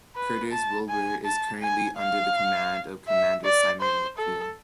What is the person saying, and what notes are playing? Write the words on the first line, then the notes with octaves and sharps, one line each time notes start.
"Curtis Wilbur" is currently under the command of Commander Simon McKeon.
B4
A5
G#5
A5
G#5
F5
E5
D5
C5
A4